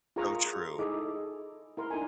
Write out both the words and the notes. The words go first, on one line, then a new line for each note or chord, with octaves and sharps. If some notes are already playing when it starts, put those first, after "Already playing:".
Oh, true.
F4 G#4 A#4 F5 A#5 C#6
D#4 E4 G#4 A4 D#5 D6
E4 A#4 C6
D4 D#4 A4 G#5